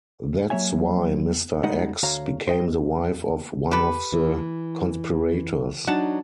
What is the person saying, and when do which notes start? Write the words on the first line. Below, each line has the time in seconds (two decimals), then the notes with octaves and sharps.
That's why Mr. X became the wife of one of the conspirators.
0.50 F#3 A#3 C#5 E5 G#5
1.63 G3 G#3 D#4 D#5 F#5
2.03 D2 F#4 C#5 F5 A#5
2.47 C5 D#5 G5
3.71 G4 A4 B4
4.12 E3
5.87 F#3 D4 D#4 F#5 A5